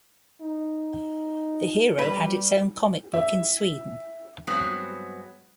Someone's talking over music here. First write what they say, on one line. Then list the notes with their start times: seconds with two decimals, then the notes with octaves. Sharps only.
The hero had its own comic book in Sweden.
0.41 D#4
1.99 G3 B4
3.14 E5
4.47 G2 F#3 G#3 B3 C4